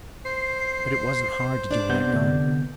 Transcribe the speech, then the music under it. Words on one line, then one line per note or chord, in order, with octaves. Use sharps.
But it wasn't hard to do what I've done.
C5 C7
D4 D5
C3 B3 G6
D3